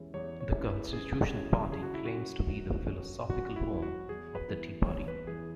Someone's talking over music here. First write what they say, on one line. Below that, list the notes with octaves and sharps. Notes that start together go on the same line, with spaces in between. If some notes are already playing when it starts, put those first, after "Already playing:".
The Constitution Party claims to be the "philosophical home" of the Tea Party.
Already playing: E2 E3 G#3 C#4 E4
E2 C#5
C#5
E3 G#3 C#4 E4
B4
C#2 G#4
C#3 F#3 C#4 E4
C#2 G#4
F#4
E4
F#4
C#3 F#3 C#4 E4
F#2
F#3 C#4
F#2 F#4
E4
F#3 C#4
F#4
E2 G#4
B4
E3 B3
E2 C#5
B4
E3 B3 G#4